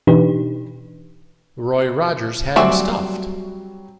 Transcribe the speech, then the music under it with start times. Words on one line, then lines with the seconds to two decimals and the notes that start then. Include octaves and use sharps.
Roy Rogers had him stuffed!.
0.07 B2 E3 D4 D#4 G4 B4
2.56 F#3 G3 A3 C4 F#4 D5 E5 G#5